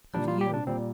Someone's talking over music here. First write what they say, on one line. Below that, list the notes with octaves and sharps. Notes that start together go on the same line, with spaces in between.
"Of you?"
A#2 G3 D4
F4
G4
D4
A#2 G3 C4